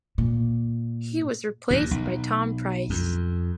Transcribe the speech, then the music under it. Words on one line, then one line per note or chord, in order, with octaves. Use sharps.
He was replaced by Tom Pryce.
A#2
D#2 A#2
B1
F2